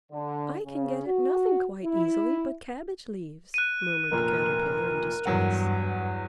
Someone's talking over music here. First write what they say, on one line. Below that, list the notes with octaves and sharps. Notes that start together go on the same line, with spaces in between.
"I can get at nothing quite easily but cabbage-leaves," murmured the Caterpillar, in distress.
D3
C#3
F#4
E4
F#6 D#7
F1 A#2 A#4
E2 G2 F#3 F#5